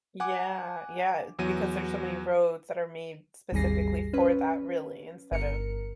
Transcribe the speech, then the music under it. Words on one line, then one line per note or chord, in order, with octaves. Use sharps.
Yeah, yeah, because there's so many roads that are made specifically for that, really, instead of
F#5 G#5 D6
E2 F#3 D#7
G#1 D#2 G3 G#4 A#6 C7
C#4 B4
G1 A#4 C#7